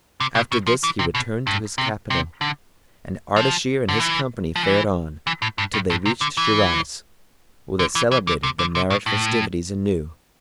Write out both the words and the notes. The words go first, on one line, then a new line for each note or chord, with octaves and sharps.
After this he returned to his capital and Ardashir and his company fared on, till they reached Shiraz, where they celebrated the marriage- festivities anew.
C3
B2
B2
F3
E3
C3
B2
G2
C3
C3
D3
F3
D3
E3
F3
E3
E3
A2
G2
G2
G2
C3
D3
E3
D3
E3
E3
D3
C3
D3
C3
A2
A2